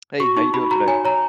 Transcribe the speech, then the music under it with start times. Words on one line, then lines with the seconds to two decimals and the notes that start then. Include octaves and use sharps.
Hey, how you doing today?
0.20 F#4 C#6
0.37 D#4 C#6
0.53 F#4 B5
0.71 F#4 A#5
0.88 C#5 G#5
1.05 C#5 A#5